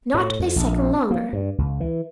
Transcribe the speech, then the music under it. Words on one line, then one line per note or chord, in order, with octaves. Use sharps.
"Not a second longer."
A2
F2
A#1
A#3
G2
C#2
E3